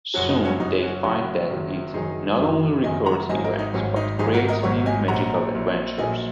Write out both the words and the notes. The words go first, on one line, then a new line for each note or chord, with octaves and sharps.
Soon they find that it not only records events, but creates new magical adventures.
F#1 F#2 F#3 C#4 F#4
D#4
C#4 F#4
F#1 F#2 F#3 D#4
C#4 F#4
F#1 F#2 F#3 C#4 F#4
F#1 F#2 D#3 F#3
F#1 F#2 D#3 F#3 D#4 G#4
F#1 F#2 D#3 F#3
F#1 F#2 D#3 F#3 D#5 G#5
F#5 A#5
G#1 G#2 F#3 D#5 G#5
A#4 D#5
D#4
G#1 G#2 F#3 C#4
D#4
G#1 G#2 F#3 D#4 G#4
F#4 A#4
A#4 D#5
G#1 G#2 F#3 C#5 F#5
D#5 G#5
A#1 A#2 F#3 F#5 A#5
A#1 A#2 F#3
A#1 A#2 F#3 D#5 G#5